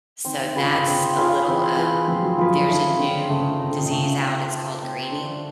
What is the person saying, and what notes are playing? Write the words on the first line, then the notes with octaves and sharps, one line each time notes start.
So, that's a little, um there's a new disease out. It's called greening
D#3 C4
D#3
C#3 F4 G#4 B4
D3
C#3
D3 C4
D#3 F4 G#4 B4
E3 C4
E3 F4 G#4 B4
F3 C4
F#3
F3 F4 G#4 B4
D3
D#3 A3
D3 C4 D#4
C#3 A3
C#3
C4 D#4
D3
C#3
C3
C#3 A3
C4 D#4
A3
C4 D#4
D3 D4